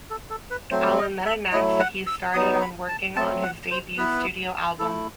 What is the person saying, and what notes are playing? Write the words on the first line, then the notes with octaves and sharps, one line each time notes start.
Allan then announced that he started on working on his debut studio album.
A4
A4
B4
F#3 A3 C4 C5
D#5
E5
F#3 A3 E4 D#5
F#5
E6
F#3 B3 D#4 D#6
B5
A5
F#3 A3 C4 A5
F#5
C5
B3 E4 B4
A3 E4 A4